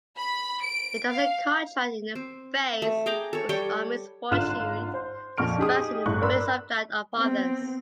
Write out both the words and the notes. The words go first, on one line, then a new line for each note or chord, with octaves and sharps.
He doesn’t contract in the face of his own misfortune, and expands in the face of that of others.
B5
D7
F5
C4
A3
G#4 G5 A#5 D6
A4 C#5
G3 C#5 G5
G#1 D3 F4 F6 F#6 E7
C5
F2 A#2 C#6 F6 D7
D#4 G4 G#4 D#6
G1 A2 E4 C#6 F#6
A#4 B4 D5 B5 C6 E6
B3 C4